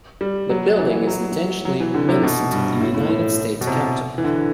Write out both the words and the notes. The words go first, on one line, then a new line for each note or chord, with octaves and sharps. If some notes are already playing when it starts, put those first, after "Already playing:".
The building is intentionally reminiscent of the United States Capitol.
G3
F#3
E3
F#3
F#3
E3
D3
C3
B2
G2
A2
A2
A2
B2
C3
E3
D3